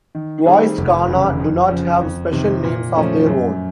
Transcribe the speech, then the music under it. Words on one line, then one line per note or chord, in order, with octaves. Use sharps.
Voiced kana do not have special names of their own.
D#3
G3 C4 D#4 G#4
F1
E2 C#3
F2
C#3 F3
F2
C3 D#3
A#2
F3 A3 C#4
F#2